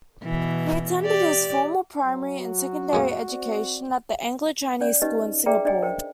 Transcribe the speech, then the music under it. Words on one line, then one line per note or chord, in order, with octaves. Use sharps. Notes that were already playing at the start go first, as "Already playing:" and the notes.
He attended his formal primary and secondary education at the Anglo-Chinese School in Singapore.
B2 E3
G4 D5
F#3
F#4
F#2 G#3 A#3
C4 D5
C#4 D5
C#4 D#4 G4 B4 D#5
G#4 B4 D5 E5 G5 A#5
D4 D5 D#5 G5 G#5
A#4 C5 G5